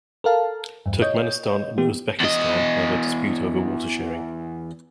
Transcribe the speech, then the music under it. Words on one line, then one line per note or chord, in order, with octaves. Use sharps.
Turkmenistan and Uzbekistan have a dispute over water-sharing.
A4 A#4 F5 A5
E2 G2
C#5 D#5 G6
E3 B3 G4
E2 D#5